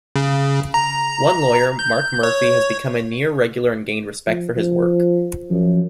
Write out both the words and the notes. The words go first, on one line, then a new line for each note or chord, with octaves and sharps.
One, lawyer Marc Murphy, has become a near-regular and gained respect for his work.
C#3
A#5
G6
C#5
F3
F3
F#2 F3